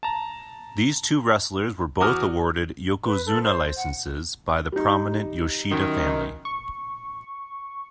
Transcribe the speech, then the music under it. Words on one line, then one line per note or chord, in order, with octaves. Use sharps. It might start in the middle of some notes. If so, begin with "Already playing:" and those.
These two wrestlers were both awarded "yokozuna" licences by the prominent Yoshida family.
A5 A#5
E2 F#4 D6 D#6 F6
B4
A4
C5
F#5
G3 D#4
F#2 D#3
C#6